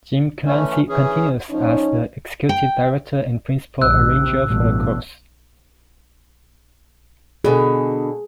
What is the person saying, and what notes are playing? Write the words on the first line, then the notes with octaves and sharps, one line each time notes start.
Jim Clancy continues as the Executive Director and principal arranger for the chorus.
E3 A3 C#4
E3 C#4 G#4
F3 C#4 D#4
G5
A#1 D#2 G#2 E6 F#6
C3
A1 G2 B2
B2 D3 G#4